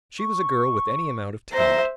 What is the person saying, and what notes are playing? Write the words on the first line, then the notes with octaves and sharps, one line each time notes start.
She was a girl with any amount of talent.
C#6
C5 E5 A#5